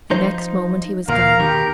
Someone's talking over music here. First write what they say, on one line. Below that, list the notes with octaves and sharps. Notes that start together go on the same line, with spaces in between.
The next moment he was gone.
F3 D#4 C5
D2 A#2 A#4 F5 A#5
D#2 B2 D#3 G4